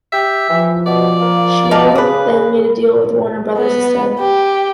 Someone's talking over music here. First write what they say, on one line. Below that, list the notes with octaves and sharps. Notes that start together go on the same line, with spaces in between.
Schneer then made a deal with Warner Brothers instead.
G4 E5
E3 F3
B2 D5
A#3
B2 D#4 F5 A5
C#3 G#4 B4 D#6
B3
G4